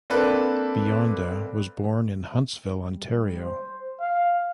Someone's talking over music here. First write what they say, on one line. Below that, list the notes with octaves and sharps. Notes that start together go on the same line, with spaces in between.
Bionda was born in Huntsville, Ontario.
A#3 C4 D4 A4 B4 D5
G3
C5
F5